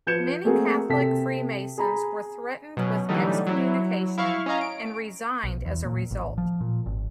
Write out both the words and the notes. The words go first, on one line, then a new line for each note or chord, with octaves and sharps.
Many Catholic Freemasons were threatened with excommunication, and resigned as a result.
F3 B4 G6 G#6 C#7 E7
A3 A#3 C4 F#4 G#4 A#4
C3 A4 G5 A5 B6
G#4 G#5 A#5 B5
B2 F#3 C#4
D3 E3 F#3 G3 A3 D#4
F#3 E4
E4 F5 C#6
C#4 C#5 D#5 F5 A#5
D7
B1
E2
A#2
A1
F3
A#2
G#1